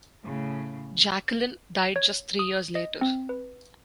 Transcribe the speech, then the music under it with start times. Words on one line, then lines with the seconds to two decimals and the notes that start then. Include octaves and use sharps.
Jacqueline died just three years later.
0.25 A2 C#3
1.96 C#5
2.39 D#6
2.75 D#5
3.01 C4
3.29 B4